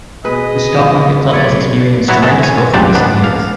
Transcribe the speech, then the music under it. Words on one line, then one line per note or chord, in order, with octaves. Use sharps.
The Stock Market Club has experienced tremendous growth in recent years.
B2 G#4 B4 D#5
F2
B1 B4 C#5 D5
F#3 B3 E4 F#4 C#5
G#3 A4 F#5
C#5 G#5
C#2 A#2 G3 C5 D5 F#5
G#2 B3 D4
F5